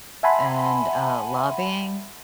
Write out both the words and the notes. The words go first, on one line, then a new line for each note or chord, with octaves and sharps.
and, uh, lobbying.
E5 F#5 G#5 A5 B5 C6